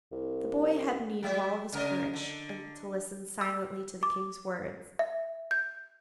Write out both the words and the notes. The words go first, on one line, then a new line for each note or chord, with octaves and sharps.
The boy had need of all his courage to listen silently to the king's words.
C2
F#3 E5
C#3 A#4 D#5
D3
E6
D6
E5
G6